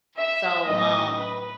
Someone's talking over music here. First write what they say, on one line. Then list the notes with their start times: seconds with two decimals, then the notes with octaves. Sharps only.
so, um,
0.16 E5
0.66 A2 F#3 B3 D#4 D#5
1.16 B4